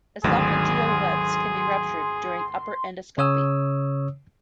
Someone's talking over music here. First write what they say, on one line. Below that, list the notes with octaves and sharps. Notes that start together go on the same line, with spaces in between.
Esophageal webs can be ruptured during upper endoscopy.
G#1 D2 D#3 F#3 G#4 C6
C#3 C#5 D#6 E6